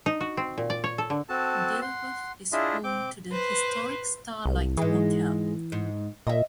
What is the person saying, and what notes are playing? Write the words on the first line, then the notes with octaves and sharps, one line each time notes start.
Dilworth is home to the historic Star Lite Motel.
D#4
F#4
C4
A#2
D5
C#5
A4
D3
C4 F#4 A4 A5
F#5 C6
D4 E4 F4 G#4 D#5 E5
C4 D6 G6
B4 C5
C2
G#2 E3 G#3
G#2
A#2 D#5 E5